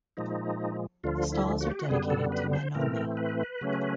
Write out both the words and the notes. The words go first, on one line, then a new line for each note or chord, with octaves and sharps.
The stalls are dedicated to men only.
A#2 F3 G#3 D#4
D2 D3 F3 F4
E4
F#4
G4
F#4
F#2 D3 G3 B3 G#4
A4
B4
C5
A2 E3 A3 C4 A#4
B4
C#3 F#3 A3 C#4